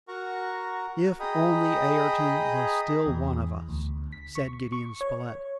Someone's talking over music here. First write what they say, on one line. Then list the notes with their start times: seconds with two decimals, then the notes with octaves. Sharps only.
"If only Ayrton was still one of us!" said Gideon Spilett.
0.08 F#4 A#4 F#5 A#5 C#6
1.20 G#4 D#5 G5 A#5 B5 D#6
3.06 E2
3.69 D2
4.12 B6
4.35 C#6
4.72 C#6
5.01 C#5